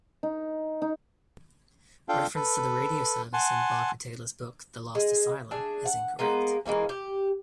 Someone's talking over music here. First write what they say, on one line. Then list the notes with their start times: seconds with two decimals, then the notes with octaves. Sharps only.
Reference to the radio service in Barbara Taylor's book The Last Asylum is incorrect.
0.23 D#4
0.82 D#4
2.09 D4 F4 A4 F5 G5
2.35 A4 B4
3.33 F#5 G#5 A5 C6
4.95 G#3
5.51 D4 G#4 E5
5.86 F#5
6.19 G#3 A#3 B3
6.66 E3 G#3 A#3 C#4
6.89 G4